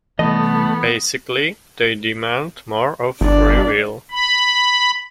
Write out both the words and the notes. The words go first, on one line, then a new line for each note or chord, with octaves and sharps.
Basically, they demand more of "free will".
C2 E3 A3 B3 D#5
G1 D4 D5
B5